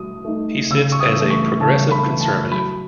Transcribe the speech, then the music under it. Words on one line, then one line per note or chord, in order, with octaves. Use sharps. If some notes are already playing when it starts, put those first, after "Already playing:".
He sits as a Progressive Conservative.
Already playing: B2 A3 D#6
A3 D#4
C#3 E6
C#6
D#6
E3 A3
C#6
C#3 A5
B5
E3 A3
A5
F#3 B5